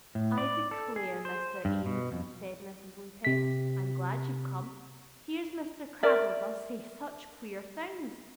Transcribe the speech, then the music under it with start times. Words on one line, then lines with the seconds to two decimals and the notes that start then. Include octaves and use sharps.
"I declare, Mr. Eames," said Mrs. Lupex, "I'm glad you've come. Here's Mr. Cradell does say such queer things."
0.15 A2
0.38 D5
0.71 A4
0.96 G#4
1.25 C5
1.65 G2
1.86 B2
2.12 F2
3.25 C3 B6
6.03 A#4 D5 E5